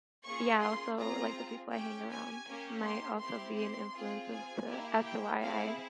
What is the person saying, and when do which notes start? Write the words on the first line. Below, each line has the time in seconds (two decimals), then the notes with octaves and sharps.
yeah, also like the people I hang around might also be an influence as to as to why I
0.25 A#3 C#4 F4 G#4 C#6
0.62 C6
0.99 C4 F4 G#4 A#5
1.72 C#4 G4 G5
2.10 G#5
2.46 A#3 C#4 G4
2.84 C6
3.20 C4 E4 G4 C6
3.57 C6
3.94 C4 F4 G#4
4.31 G#5
4.67 A#3 E4 G4
5.04 G5
5.41 C4 E4 G#4 F5